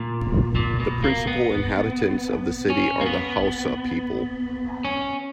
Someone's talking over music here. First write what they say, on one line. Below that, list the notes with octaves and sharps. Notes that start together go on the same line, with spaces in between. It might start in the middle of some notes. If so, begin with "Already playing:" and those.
The principal inhabitants of the city are the Hausa people.
Already playing: A#2
A#2
B2
A#3
B3
C#4
A#3
B3
C#4